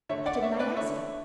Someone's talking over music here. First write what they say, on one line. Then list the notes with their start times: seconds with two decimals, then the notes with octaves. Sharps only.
Why didn't I ask him!
0.09 D3 A3 C#5 E5
0.26 D5 F#5
0.42 C#5 E5
0.59 B4 D5
0.77 D3 A3 C#5 E5